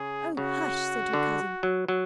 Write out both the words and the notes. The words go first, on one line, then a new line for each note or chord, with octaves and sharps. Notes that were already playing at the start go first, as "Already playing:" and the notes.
"Oh, hush!" said her cousin.
Already playing: C#3 G#4
C#3 F#4
D3
F#3
F#3